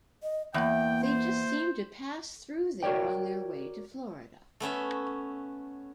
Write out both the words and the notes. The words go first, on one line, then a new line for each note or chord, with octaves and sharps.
They just seem to pass through there on their way to Florida.
D#5
E2 A#3 G5
C5
F#4 A#4 C#5 D5 G5
A3 B3 C#4 E5